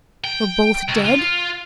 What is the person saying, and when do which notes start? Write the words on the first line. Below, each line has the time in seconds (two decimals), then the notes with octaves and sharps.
Were both dead?
0.24 G5
0.89 C#2
1.05 F4